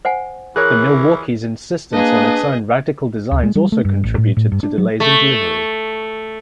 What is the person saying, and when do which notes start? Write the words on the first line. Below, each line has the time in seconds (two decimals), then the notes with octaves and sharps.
The Milwaukee's insistence on its own radical designs also contributed to delays in delivery.
0.05 C5 F#5 G#5
0.56 E3 G#4 A#4 C#5 F#6
1.93 A#3 D4 G#4 B4 D#5
3.31 D2
3.43 G#3
3.55 G3
3.72 A3
3.85 G2
4.04 A1
4.18 A2
4.37 A2
4.52 G2
4.63 D4
4.78 F#3
5.00 A3